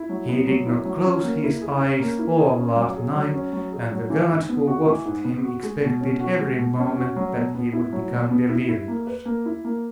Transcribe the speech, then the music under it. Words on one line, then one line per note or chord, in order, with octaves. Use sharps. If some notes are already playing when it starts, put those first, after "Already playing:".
He did not close his eyes all last night, and the guards who watched him expected every moment that he would become delirious.
Already playing: E4
F#3
B3
F#3
E4
F#3
C#4
A#3
E4
G#4
C#4
A#3
E4
G#4
C#4
F#3
G#4
F#3
C#4
F#3
G#4
F#3
E3
G#2
B3
F#4
E3
G#2
B3
F#4
G#3
B2
C#4
F#4
G#3
B2
C#4
F#4
F#3
B2
B3
E4
F#3
B2
B3
E4
E4
A#3
B4
A#3
E4
A#3